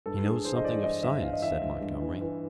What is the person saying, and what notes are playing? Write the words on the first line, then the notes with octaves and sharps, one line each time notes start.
"He knows something of science," said Montgomery.
G2 A4
G2 G#4
E3 C5
D#5
E3 D5
G2 D#5
G2 E5
E3 F5
D#5
E3 E5
G2 E5
G2
E3
E3